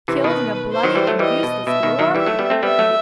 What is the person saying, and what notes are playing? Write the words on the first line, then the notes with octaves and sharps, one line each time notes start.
Killed in a bloody and useless war!
C3 E3
B2 D#3 B4
C5
D#3 F#3
E3 G3
F#3 A3
E3 G3 D#5
B2
B2 E5
B2 D#3
D#3 F#3
E3 G3 E5
F#3 A3
G3 B3
A3 C4
G3 B3 E5
F#3 A3